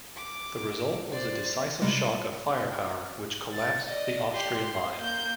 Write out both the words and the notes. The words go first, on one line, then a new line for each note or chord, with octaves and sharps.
The result was a decisive shock of firepower which collapsed the Austrian line.
D6
C5 D5
C3 G3 G#3
A6
D5 D#5
G4 C6
C6
A#3 G6